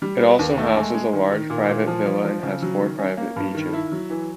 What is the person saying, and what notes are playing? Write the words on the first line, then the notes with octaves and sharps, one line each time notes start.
It also houses a large private villa and has four private beaches.
G3
B3
D#2
A3
G#3
G#3
D#3
D#3
A#2
A#2
F3
F3
F3
C#3
F#3
D#3
C#4
A#3
G2
D#3
E4
F#3
E3